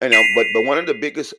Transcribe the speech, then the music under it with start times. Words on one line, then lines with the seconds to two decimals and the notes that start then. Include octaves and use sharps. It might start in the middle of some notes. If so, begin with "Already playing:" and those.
and, um but but one of the biggest
0.12 B6 C7 D#7 F7